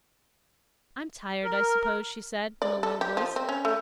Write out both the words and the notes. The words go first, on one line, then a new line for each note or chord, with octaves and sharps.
"I'm tired, I suppose," she said, in a low voice.
A#4
D5
A4
G4
F3
C4
C#4
A3